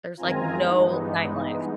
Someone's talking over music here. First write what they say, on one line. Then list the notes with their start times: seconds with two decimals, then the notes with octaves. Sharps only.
There's, like, no nightlife.
0.17 F#2 D#3 G#3 C4 F4 G#5 A#5
0.54 G2 E3 G#3 B3 D#4